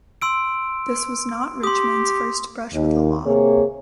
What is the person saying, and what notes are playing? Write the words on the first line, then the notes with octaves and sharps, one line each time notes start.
This was not Richmond's first brush with the law.
C6 E6 D7
G4 C6 D#6
D#2
C3 A#3 G#4 C#5